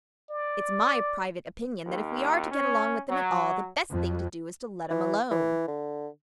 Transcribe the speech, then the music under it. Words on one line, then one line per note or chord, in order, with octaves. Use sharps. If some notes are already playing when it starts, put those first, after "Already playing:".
It's my private opinion that if we are to get along with them at all the best thing to do is to let 'em alone.
D5
D#2
C#4
F#3
F2
E3
E3
D3